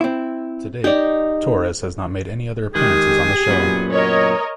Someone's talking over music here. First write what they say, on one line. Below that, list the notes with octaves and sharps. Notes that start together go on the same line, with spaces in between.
To date, Torres has not made any other appearances on the show.
C4 E4
D#4 G4 D5
D#3 G#3 G4 G#4
F#2 A#2 B3
A#4 C#5 D#5